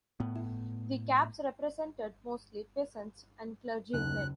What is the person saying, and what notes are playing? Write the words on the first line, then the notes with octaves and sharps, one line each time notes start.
The Caps represented mostly peasants and clergymen.
A2 B3
F#1 D#2 C#3 F#6